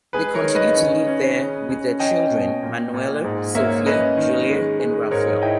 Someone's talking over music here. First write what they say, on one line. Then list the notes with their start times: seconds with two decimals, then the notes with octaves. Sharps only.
They continue to live there with their children, Manoela, Sofia, Julia and Rafael.
0.13 G#3 G#4 B4
0.34 A#4 C#5
0.44 D#3
0.55 B4 D#5
0.75 C#4
1.07 C#4
1.39 C#3
1.70 C#4
2.00 C#4 D#5 G5
2.31 B2
2.63 A#2
2.94 A#2
3.24 G#2
3.55 A#3 C#5 E5
3.86 C#4 B4 D#5
4.17 D#3
4.49 G#3
4.80 G#3
5.11 G#2 A#4 C#5
5.41 E4 D#5 G5